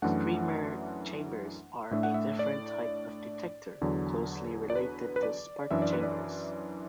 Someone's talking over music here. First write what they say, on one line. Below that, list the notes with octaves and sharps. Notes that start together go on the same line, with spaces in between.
Streamer chambers are a different type of detector, closely related to spark chambers.
F#2 E3 A3 D4 F#5
A2 A3 D4 E5
F#5
E5
D5
E2 D3 F#3
D5
B4
B4
D5
F#2 E3 D4 E5
D5
B4
D5